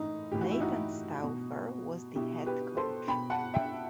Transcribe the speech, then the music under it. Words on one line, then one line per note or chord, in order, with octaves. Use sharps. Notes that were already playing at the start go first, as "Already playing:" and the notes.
Nathan Stauffer was the head coach.
Already playing: A2 E3 D#4
A2 E3 G4
F#4
E4
D#4 F#4
B2
B2 E4 G4
G4 B4
A4 C5
B2 G5 B5
F#5 A5
E5 G5